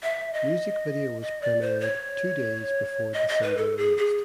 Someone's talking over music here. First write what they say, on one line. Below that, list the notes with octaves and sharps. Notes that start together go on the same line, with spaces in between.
Music video was premiered two days before the single released.
E5
D#5
D#5
D5
C5
C#5
D#5
D#5
B4
A4
G#4
G#4